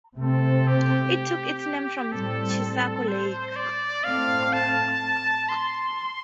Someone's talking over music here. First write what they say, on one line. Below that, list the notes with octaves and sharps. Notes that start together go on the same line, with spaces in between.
It took its name from Chisago Lake.
C3 A3 C4 A4
G4
A2 G3 C4 A4
C5
D5
A2 A3 C4 F5
A5
C6